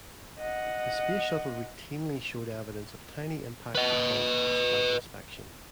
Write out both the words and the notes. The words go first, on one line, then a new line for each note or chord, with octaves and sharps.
The Space Shuttle routinely showed evidence of "tiny" impacts upon post-flight inspection.
D#5 F#5
B4 D#5